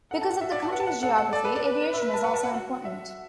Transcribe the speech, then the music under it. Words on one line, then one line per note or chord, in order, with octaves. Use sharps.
Because of the country's geography, aviation is also important.
A4 F#5
A5
F#5
F#4 E5
D5
A5
B4 F#5
A5
F#5
A4 F#5
F#5
A4 D5
B4
D5
B4
E5
A5
F#5
A5
F#5
F#4 F#5
E5